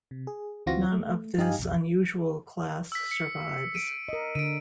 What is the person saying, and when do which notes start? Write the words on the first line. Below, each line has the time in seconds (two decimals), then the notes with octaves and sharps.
None of this unusual class survives.
0.11 C3
0.27 G#4
0.66 D2 E3 C4 F4 F#4 A#6
0.92 A3
1.38 G2 D#4 G4 D#5 F5 G#5
1.59 B1 F2
2.92 E6 B6
3.11 C#7
3.75 D7 D#7
4.08 A#4 D#5
4.35 D3 D7 D#7